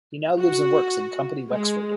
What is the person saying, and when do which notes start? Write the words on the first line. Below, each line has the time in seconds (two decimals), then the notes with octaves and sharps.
He now lives and works in Company Wexford.
0.40 F#4
1.53 G#3